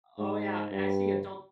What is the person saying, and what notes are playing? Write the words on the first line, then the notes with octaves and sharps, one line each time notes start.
o oh, yeah. I see adult
G#2
G2